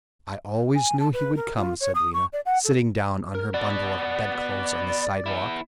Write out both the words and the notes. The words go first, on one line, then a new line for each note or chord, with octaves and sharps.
"I always knew he would come," said Lena, sitting down on her bundle of bedclothes on the sidewalk.
G#5
A5
B4
A#4
F4
C#5
D#6
C#6
D5
F#5
A4
A#4
B3 F#4 D5
B3 E4